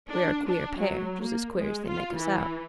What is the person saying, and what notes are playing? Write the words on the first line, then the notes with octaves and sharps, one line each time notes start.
We are a queer pair--just as queer as they make us out.
D4
D4
F#3
A#3
G#3
F4
E3